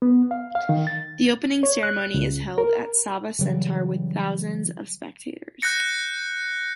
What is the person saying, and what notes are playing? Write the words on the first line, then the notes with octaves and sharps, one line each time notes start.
The opening ceremony is held at Sava Centar with thousands of spectators.
B3
F5
F5
D#3
A6
C#5
F#6
C#2
A#4
C#3 E3 F#3 G3
F#6 G6 A#6 C#7